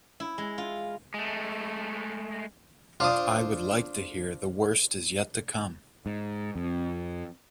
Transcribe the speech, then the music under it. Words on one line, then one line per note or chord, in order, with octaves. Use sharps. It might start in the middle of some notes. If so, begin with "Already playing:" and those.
I would like to hear The Worst Is Yet To Come.
E4
G#3
F4
G#3 A3
D4 F4 C5 D5 D#6
G#2
F2